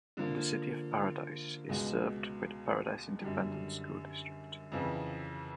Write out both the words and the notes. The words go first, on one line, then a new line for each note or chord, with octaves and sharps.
The City of Paradise is served by the Paradise Independent School District.
D3 F3 A#3
C#2 B2 G#3
F#2 D3 G3
F2 C#3 E3